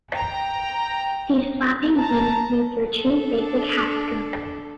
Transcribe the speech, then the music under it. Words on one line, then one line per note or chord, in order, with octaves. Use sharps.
These flapping wings move through two basic half-strokes.
G5 A#5
A5 A#5
A4
D4